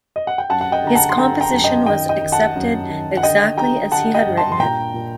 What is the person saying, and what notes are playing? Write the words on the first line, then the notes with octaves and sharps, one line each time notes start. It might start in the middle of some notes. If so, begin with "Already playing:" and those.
His composition was accepted exactly as he had written it.
D#5
F#5
G5
F#2 F#5 A5
F#5
D#5 G5
D3 A#5
F#5 A5
C6
D3 G5 A#5
G5 A#5
F#2
D#5 G5
D#3 D#5 G5
D#5 G5
D#3
F#5 A5
F#2
D#3
F#5
D3 D#5 G5
D3 G5 A#5
D3 F#5 A5
D#5 G5
G2
A5 C6
C6
A#2 G5 A#5
A#2